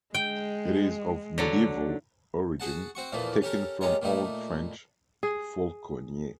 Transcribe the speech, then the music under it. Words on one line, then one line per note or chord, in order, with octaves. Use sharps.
It is of medieval origin taken from Old French "faulconnier".
G#3 G5
D3 F#3 D4
F#4 G#4 F#5 A5
C4 F#4 C#6
E2 A#2 E3 F3 A3
C#4 G4 A4 A#4
G3 G#3 C#4 A#4 C#5
A#2 A3 D#4 E4
G#4